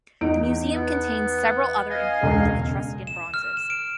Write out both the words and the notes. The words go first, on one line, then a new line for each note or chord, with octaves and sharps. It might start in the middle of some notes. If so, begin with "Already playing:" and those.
The Museum contains several other important Etruscan bronzes.
E2 D#4 D7
B3
D#5 F5 G#5
E1 C#2
E7
F6
E7
D7